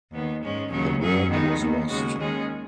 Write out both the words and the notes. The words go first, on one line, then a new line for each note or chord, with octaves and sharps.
The work was lost.
D#2 D#3 B3
G#2 G#3 C#4
D#2 C#3 F#3 C#4
F#2 F#3 C#4 G#4
D#3 G#3 B3 D#4
D#2 D#3 B3
D#2 C#3 G#3 C#4 F#4
D#2 D#3 G#3 C#4 G#4